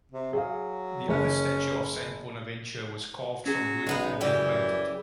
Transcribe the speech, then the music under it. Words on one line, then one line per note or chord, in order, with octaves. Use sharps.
The other statue of Saint Bonaventure was carved from wood and then painted.
C3
F#3 G#4 F5
F#1 C#4
F#3 C#4 G#4
B1 G#3 B3 D#4
F#2 C#3 E3 G3 G4